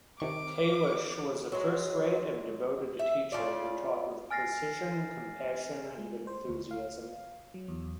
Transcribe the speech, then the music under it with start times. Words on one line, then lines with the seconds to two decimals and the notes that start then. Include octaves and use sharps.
Kalish was a first-rate and devoted teacher, who taught with precision, compassion and enthusiasm.
0.20 C3 D#3 C#6 D6
1.52 F#3 G#3
2.99 E5
3.32 C#3 F3 F4 D5
4.31 G#5 F6 A6 A#6 C7
5.98 G#3
6.27 C5
6.49 D2
6.71 F5
7.54 F#3
7.68 E2